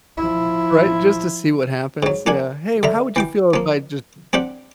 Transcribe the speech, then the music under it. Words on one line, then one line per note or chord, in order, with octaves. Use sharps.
Right. Just to see what happens. Yeah. "Hey, wa How would you feel if I just"
F3 E4
G#2 F#3
A#3 D4 F#5 G#5
D3 E5 A#5
E3 G5 D6
F3 A#3
C4 D4 G4 F#5